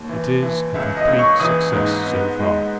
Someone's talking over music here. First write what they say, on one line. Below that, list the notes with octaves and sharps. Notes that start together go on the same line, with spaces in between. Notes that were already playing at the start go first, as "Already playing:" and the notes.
It is a complete success so far.
Already playing: D#2
E3
E3
C#2 E5
D#5
C#2
C#6
E3 D#6
G#2
B3
G#3